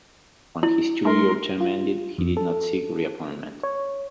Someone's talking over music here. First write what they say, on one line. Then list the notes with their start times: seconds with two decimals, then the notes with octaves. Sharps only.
When his two-year term ended, he did not seek reappointment.
0.63 E4
1.05 A3 A#4 C6
1.61 F4
2.18 F2
2.37 A4
3.63 C#5